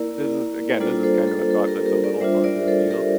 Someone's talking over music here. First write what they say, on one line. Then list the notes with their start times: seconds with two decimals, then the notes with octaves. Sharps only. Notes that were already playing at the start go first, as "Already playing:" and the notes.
this is, again, this is kind of a thought that's a little farther afield
Already playing: A#3 E4 A#4 D5
0.80 G3 A#3 D4 F4 A4 C5
1.03 A4 C5
1.28 A4
1.51 A4
1.68 G4 A#4
1.86 G4 A#4
2.04 A#4 D5
2.20 G3 D4 F4 C5 E5
2.44 A#4 D5
2.68 A4 C5
2.91 G4 A#4